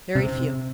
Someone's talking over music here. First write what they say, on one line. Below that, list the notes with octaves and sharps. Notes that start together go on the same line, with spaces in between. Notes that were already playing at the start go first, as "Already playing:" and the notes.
"Very few."
C3